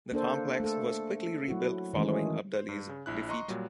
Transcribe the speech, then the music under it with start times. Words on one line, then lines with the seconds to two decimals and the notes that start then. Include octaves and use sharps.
The complex was quickly rebuilt following Abdali's defeat.
0.12 A#3 D4 A4 C5
0.60 A3 A4
1.48 F#3 E4 F#4
1.94 D#3 E3 G#3 A3 C#4
2.54 C5
2.69 G2
2.89 C#3
3.06 A#1 E4 F#6
3.29 D#5 A#5 C6 C#6
3.48 A#2 F#3 G3